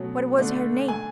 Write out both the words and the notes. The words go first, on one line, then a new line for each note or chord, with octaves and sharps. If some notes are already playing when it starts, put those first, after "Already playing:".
What was her name?'
Already playing: B2 F#3 A3 C#4
D3 A3 D4
G#5